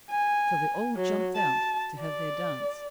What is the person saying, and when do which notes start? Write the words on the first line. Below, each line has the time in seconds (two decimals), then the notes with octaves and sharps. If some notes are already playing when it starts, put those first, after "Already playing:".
So they all jumped out to have their dance.
0.11 G#5
0.97 F#3
1.36 A5
2.00 D5